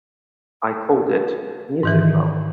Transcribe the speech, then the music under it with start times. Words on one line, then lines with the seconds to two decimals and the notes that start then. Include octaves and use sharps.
I called it 'Music Love'.
1.83 G#2 D#3 E3